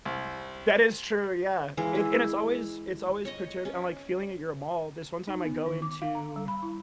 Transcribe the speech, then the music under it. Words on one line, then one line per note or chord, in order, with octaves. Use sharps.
That is true, yeah, it and it's always it's always perturbed I'm like, feeling at your mall. This one time I go into
C2
E3 G#3 F5
E4
C#5 D#5
C#4
D#4
B3
D#3
D6
F5
A#5
G3
B5
E4